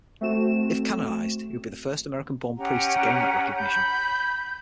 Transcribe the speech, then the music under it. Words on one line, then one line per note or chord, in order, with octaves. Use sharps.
If canonized, he would be the first American-born priest to gain that recognition.
A3 C4 F#4 E7
C#4 G4 F#5 A#5
B5 G6